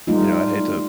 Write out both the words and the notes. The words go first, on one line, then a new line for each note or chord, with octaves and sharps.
you know, I'd hate to
G3 A3 D#4 F4